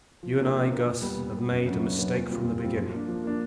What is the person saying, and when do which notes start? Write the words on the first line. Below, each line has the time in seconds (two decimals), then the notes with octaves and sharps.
You and I, Guss, have made a mistake from the beginning.
0.23 F3
0.39 A#3 D4 F4 A#4
0.55 F3
0.71 A#3 D4 F4 A#4
0.87 A#2
1.02 G3 B3
1.18 A#2
1.34 G3 B3
1.50 F#2
1.65 C#3 F#3 B3 D4
1.81 F#2
1.97 C#3 F#3 B3 D4
2.13 A#2
2.28 G3 C4 F4
2.44 A#2
2.60 G3 C4 F4
2.77 F3
2.92 A#3 D4
3.08 F3
3.24 A#3 D4